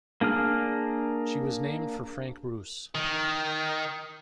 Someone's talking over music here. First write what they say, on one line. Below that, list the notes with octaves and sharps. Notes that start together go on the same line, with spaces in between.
She was named for Frank Bruce.
A#3 D4 G#4 F6
D#3